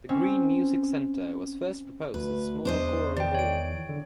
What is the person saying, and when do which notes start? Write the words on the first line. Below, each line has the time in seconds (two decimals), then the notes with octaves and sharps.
The Green Music Center was first proposed as a small choral hall.
0.09 C4 C#4
2.14 D2 B4
2.65 E2 D4 C5 D#5
3.17 D#3 D5 G5
3.35 C#5 D7
3.89 D3